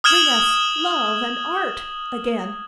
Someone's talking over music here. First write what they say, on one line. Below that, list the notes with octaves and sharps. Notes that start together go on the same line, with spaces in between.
Bring us love and art again!
D#6 F6 G#6 E7 F#7